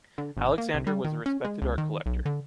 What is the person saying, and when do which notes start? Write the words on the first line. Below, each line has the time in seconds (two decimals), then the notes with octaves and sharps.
Alexander was a respected art collector.
0.18 D3
0.37 G#1
0.58 A#3
0.74 C2
0.87 G3
1.04 D#3
1.26 C#4
1.45 G#3
1.62 C#2
1.78 D#3
2.06 B1
2.26 D3